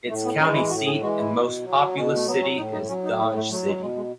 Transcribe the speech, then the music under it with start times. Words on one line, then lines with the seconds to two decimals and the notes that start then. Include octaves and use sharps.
Its county seat and most populous city is Dodge City.
0.09 A2 A3
0.25 B3
0.40 E3 G#3 C#4
0.55 E4
0.70 A2 F#4
0.86 G#4
1.01 E3 G#3 F#4
1.17 E4
1.33 B2
1.65 F#3
1.95 B2 C#4
2.15 A3
2.26 F#3 B3
2.42 C#4
2.57 A2 D#4
2.73 D#4
2.88 F#3 C#4
3.04 D#4
3.19 A2 E4
3.35 A3
3.51 F#3 A3
3.67 G#3
3.81 B2 G#3
3.96 G#3